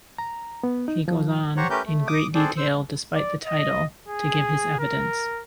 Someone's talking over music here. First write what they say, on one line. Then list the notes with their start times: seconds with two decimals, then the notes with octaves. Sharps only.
He goes on, in great detail-despite the title-to give his evidence.
0.18 A#5
0.64 B3
0.88 D#4
1.08 F3
1.57 G4 C5 C#5 F#5 A#5 C#6
1.70 A3 C#4 G4 A#4 B4 G6
1.85 A3
2.07 D6 D#6
2.35 C4 D4 G#4 A4 C5 D5
2.57 C5 E6
3.15 D5
3.45 D#5
4.08 G#4
4.79 A#4